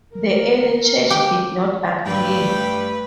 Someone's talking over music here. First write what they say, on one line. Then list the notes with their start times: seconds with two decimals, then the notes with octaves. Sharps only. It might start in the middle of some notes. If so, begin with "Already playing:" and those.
The early Church did not agree.
0.15 A#4
1.10 G4 G5
2.06 G2 G3 A3 B4 G5